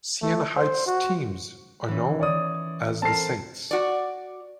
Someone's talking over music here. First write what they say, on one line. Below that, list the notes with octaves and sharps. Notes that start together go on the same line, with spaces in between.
Siena Heights teams are known as the Saints.
A3
C5
F#4
E3 C#4
C#5 D5 D#6
C4 A4 A#4 A5 C7
F#4 D5